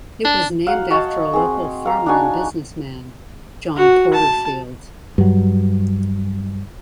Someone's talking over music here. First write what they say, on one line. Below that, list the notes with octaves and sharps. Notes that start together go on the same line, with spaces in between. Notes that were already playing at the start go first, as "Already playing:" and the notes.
It was named after a local farmer and businessman, John Porterfield.
D4
F#3 F5 F#5
F#4 C#5 D#5 A5
C4 G#4
F5 A#5
D4 D#4 F#4 G#5
F#4
A5
G2 F#3